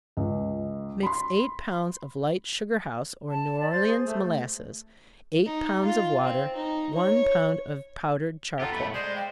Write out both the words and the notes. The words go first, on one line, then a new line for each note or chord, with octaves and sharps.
Mix eight pounds of light sugar-house or New-Orleans molasses, eight pounds of water, one pound of powdered charcoal.
C#2
B5 C6
A5
D5
C5 A6
G#4
A3
D#4
F4
C4
D#4
C#5
D#4 F4 G4 A4 F#5
A3 B3 B5
G#3 C5 D5 D#5 C6 D#6
D5 F5 G5